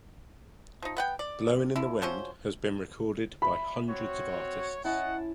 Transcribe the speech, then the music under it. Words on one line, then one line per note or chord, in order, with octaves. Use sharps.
"Blowin' in the Wind" has been recorded by hundreds of artists.
F3 D#4
B3 F#5 G5
D5
D3 E4
F3 F#3 C#4 C5
E5 B5
C4 F#4 C#5
C#4 E4 C#5 D#5 F#5 A5